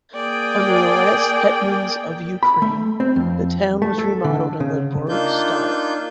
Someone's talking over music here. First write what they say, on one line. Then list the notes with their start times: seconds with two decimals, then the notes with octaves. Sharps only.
Under the last hetmans of Ukraine, the town was remodeled in the Baroque style.
0.14 A#3 G#4 D5 G5
2.43 B5
2.62 A3
3.00 C4
3.16 F2
3.82 A3
3.98 A4
4.24 D3
4.60 C#3
5.09 A#3 D4 D#4 F4 G6